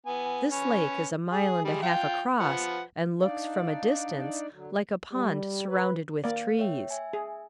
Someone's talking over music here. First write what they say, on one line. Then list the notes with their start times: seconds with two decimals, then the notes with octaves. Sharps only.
This lake is a mile and a half across and looks, from a distance, like a pond surrounded with trees.
0.06 B3 G#5
0.52 C#4 B4
1.32 G#4
1.65 G3 G#3
1.83 F4 G5
2.40 F3 B4 F#5
3.22 D4 D#4 D5 F5
4.52 D3 F#3
5.12 G3
5.67 B4
6.24 A#3 D5 F5
6.59 C#5 E5 G5
6.91 E5 G#5
7.13 G#4